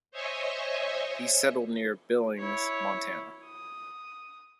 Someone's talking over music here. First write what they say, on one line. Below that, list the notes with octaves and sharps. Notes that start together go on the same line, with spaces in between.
He settled near Billings, Montana.
C5 C#5 D#5 E5 G#5 C#6
E4 C#5
D#6